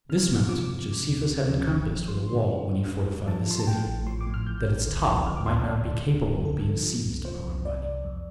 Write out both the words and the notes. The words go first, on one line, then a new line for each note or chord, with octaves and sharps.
This mountain Josephus had encompassed with a wall when he fortified the city, that its top might not be capable of being seized upon by the enemies.
C3 F6
C3
F3 D6
F3
C3
D2
D2
F3
G1
F3
F3 C6
D3
F3
F3
F2
F2
F3 A5
F3 C6
A5
A2 G5
A1
F3 C6
D6
A2
F6
A1 G6
A1
D2
F3
D2 F6
D6
F3 C6
A5
D2 D5
D2
D2
D3
C2 A4
F3
F3
C2
F3 C5
C2
C2 D5
C2
F2